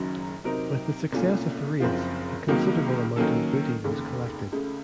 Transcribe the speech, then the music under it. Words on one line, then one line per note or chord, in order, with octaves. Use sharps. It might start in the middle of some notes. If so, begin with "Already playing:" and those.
With the success of the raids, a considerable amount of booty was collected.
Already playing: F#1 F#2 D#3 F#3
C3 F#3 C4 D#4 A#4
C2 A#2 A3 C#4 F4
F#1 F#2 F3 C4 F4
C#2 C3 D#3 F#3 A#3
D#3 F#3 A#3 C#4 A4
F1 D#2 C#3
C#2 C#3 A3